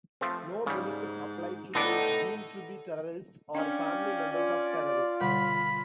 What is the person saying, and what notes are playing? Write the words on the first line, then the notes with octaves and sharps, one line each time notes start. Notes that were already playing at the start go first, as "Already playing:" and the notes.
No benefits applied to those deemed to be terrorists or family members of terrorists.
F3 A3 C4
G#2 C#3 G3
A2 B3 D4 D#4 A4 D5 F#5
C#4 D4 D5 F5 G5
F4 D5
B2 D3 G3 B5